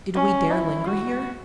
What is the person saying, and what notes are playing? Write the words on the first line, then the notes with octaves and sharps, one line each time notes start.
Did we dare linger here?
C#4
E4
F#4